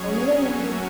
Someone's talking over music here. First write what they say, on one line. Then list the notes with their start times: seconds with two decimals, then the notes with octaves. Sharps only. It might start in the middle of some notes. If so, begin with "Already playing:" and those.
oh my goodness,
Already playing: F#3 C#4 G#4 C#5
0.31 F#3 A3 C#4 F#4